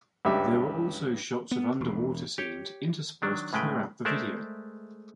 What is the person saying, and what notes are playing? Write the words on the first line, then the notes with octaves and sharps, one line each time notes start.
There are also shots of underwater scenes interspersed throughout the video.
C#2 G2 G4 E5
B3
E1
G4 C#5 G5
D#3 F#3 D4
A2 C#3 G#3 A3 B4 G5
G#3 A3 A#4 C5 D5 E5